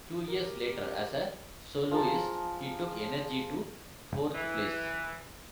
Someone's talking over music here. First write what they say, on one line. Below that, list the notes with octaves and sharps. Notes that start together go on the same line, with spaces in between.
Two years later, as a soloist, he took "Energy" to fourth place.
G4 A#4
F3 G#4 A5 A#5
E3